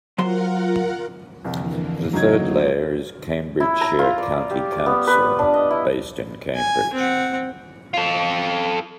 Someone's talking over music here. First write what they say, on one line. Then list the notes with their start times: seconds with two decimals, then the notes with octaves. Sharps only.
The third layer is Cambridgeshire County Council based in Cambridge.
0.18 F#3 F4 A#4 C5 F#5 C6
1.44 C2 F2 D3 E3 A#3
2.13 F#2 C#3 F#3 D#4 G#6
3.60 E4
3.81 A#5
3.99 F4
4.18 D5
4.50 G4
4.73 D5
4.86 B3
5.07 B4
5.39 D4
5.54 D#5
5.71 E4
6.55 G#5
6.94 C4 F#5
7.94 F4 A4